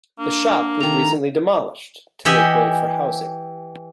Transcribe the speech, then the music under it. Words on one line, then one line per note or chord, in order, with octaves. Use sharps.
The shop was recently demolished, to make way for housing.
A#3 D4
D#3 A3 A#5
E3 G4 D#5 E5 F#5 G#5